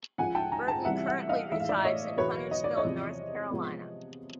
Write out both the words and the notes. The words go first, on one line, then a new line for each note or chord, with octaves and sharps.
Burton currently resides in Huntersville, North Carolina.
C#2 C#3 F3 F#5 G#5
G5 A5
G#5 A#5
G5 A5
C3 E3 G3 C4 E4 E5 F#5
E5 F#5
D#5 F5
A2 E3 G#3 E5
F5
D5 E5
C#5 D#5
E2 B2 F#3 B4 C#5
D#5
D5
C#5 D#5
E2 C3 F3
C3 F3 G#3 B3